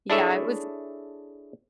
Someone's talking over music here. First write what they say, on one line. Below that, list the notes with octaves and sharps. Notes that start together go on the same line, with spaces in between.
Yeah, it was
D4 E4 G#4 A4 C#5 E5